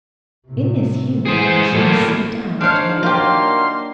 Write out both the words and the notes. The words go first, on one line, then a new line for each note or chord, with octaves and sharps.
In this humour she was set down at her door.
A2 C3
E3 G#3 G#4 C5
A2 F#3 A#3
G#2 D4 C5 C#5 F5
D#3 F#3 A#3 F4 G4 C6